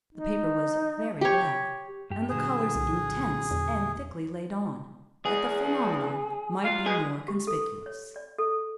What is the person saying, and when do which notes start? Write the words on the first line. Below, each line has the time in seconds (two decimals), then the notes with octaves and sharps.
The Paper was very black, and the Colours intense and thickly laid on, that the Phaenomenon might be more conspicuous.
0.14 D#4
1.21 G4 C#5
2.10 G2 G4
2.29 A#2 D3 F#3 G#4
2.75 C2
3.51 E2
5.25 E2 G#4
6.64 F#3 F4 F5
6.86 B2 G#3 G#4
7.28 G4
7.47 A4
7.86 C#5
8.16 D5
8.38 A4